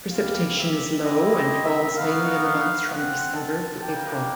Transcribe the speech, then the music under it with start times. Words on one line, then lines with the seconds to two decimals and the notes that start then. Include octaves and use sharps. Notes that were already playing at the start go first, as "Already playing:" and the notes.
Precipitation is low, and falls mainly in the months from December to April.
0.12 C4 E4 G4 F5
0.59 E5
1.04 C4 E4 G4 D#5
1.36 D#5
1.65 E5
1.97 B3 D#4 F#4 F5
2.43 F5
2.89 C4 F4 F#5
3.34 A5
3.81 G3 A#3 D4 G5